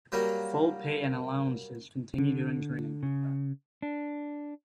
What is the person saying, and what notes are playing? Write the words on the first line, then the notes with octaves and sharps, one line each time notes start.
Full pay and allowances continue during training.
F#3 G3 A#3
D3
C#3
D4